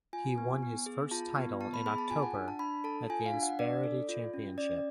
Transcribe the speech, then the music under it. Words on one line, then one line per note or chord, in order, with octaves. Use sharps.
He won his first title in October at the Insperity Championship.
F4 G#5
B3
B3
G#4
F4 A5
B3
B3 A5
B5
G#4 B5
A5
F4 G#5
F#5
D4
A5
D4 B5
A4 A5
F4 G#5
F5
D4
F#5
D4 D5
A4
F4
C#4
C#4 D5